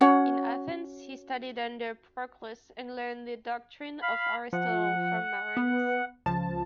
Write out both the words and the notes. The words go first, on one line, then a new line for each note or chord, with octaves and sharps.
In Athens, he studied under Proclus, and learned the doctrine of Aristotle from Marinus.
C#4 F#4 C#5 F#5
F5 B5
F3 F#5
B3
C#2 F3 A5